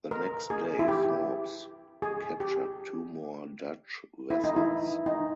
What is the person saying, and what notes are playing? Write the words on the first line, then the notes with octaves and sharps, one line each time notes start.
The next day "Forbes" captured two more Dutch vessels.
A#4
G#4
E4
G4
G#4
G4
E4
D#4
E4
D#4